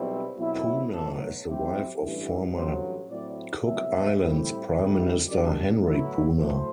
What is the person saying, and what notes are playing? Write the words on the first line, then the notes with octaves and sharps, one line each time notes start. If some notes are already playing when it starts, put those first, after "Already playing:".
Puna is the wife of former Cook Islands Prime Minister Henry Puna.
Already playing: B1 B2 G3 C4 E4
B1 B2 F#3 C4 E4
B1 A2 F#3 A4
A2 F#3 C4 E4 G4
A1 G2 E3
A1 G2 F#3 C5
A2 F#3 C4 E4 D5
C2 B2 F#3 E5
A2 G3 C4 E4
D2 C3 E3 G3
F#2 E3 G3 D4 D5
A2 F#3 B3 E4
A2 F#3 A3 E4 C5